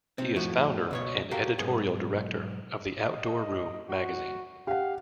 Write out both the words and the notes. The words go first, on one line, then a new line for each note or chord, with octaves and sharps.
He is founder and Editorial Director of "The Outdoor Room" magazine.
C3 C4
F2 A2 F3 E4 F#4
C#2 B2 C#5
F#4 G4 A4 A#4 F5 G5
B1 G#2 B3 G#4
D#5
F#4
G4 F5 F#5